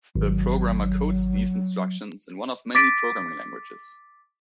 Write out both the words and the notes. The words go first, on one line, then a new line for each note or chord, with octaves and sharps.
The programmer codes these instructions in one of many programming languages.
G#1 F#3
D6 A6 B6 D7